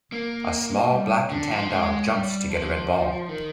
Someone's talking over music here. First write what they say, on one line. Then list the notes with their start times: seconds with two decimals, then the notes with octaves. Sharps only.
A small black and tan dog jumps to get a red ball.
0.12 A#3
0.92 G3
1.30 D3
1.51 F3
1.70 G#3
2.10 G3
2.49 F3
3.29 D#3